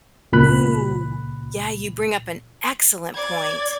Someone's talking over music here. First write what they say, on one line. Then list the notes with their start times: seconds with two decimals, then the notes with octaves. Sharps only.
Ooh, yeah, you bring up an excellent point.
0.32 C#2 A#2 B5 F#6
3.14 D5 G#6